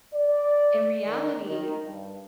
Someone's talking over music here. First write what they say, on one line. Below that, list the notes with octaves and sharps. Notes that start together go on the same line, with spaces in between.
in reality,
D5
D#3
D#3
G2